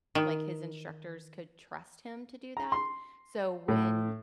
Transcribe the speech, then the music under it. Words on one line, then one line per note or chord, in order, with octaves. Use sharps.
like, his instructors could trust him to do that, so when
D#3
A#5
C6
A2